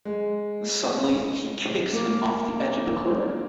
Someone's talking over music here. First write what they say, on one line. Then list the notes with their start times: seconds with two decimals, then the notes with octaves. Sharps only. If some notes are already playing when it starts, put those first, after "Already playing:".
Suddenly, he kicks him off the edge of the cliff.
0.05 G#3
1.93 A#3